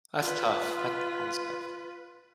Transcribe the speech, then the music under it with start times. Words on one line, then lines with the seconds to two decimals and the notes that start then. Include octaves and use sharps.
That's tough. That sounds tough.
0.19 F4 B4